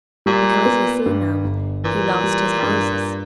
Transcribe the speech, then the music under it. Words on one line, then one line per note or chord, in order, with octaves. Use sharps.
"Because, you see, ma'am, he lost his houses."
A#2 G3
B3
G2
G1
A#2 E3
G3
G2